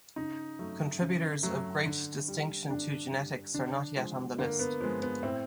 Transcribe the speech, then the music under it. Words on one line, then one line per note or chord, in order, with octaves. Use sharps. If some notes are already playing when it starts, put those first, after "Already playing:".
Contributors of great distinction to genetics are not yet on the list.
C#3 D#4
F#3 A3
C#3
F#3 A3
D3
G3
D3 D4
G3
D3 D4
F3 G#3
D3 A#3
B3
F3 G#3 B3
B3
A2 C4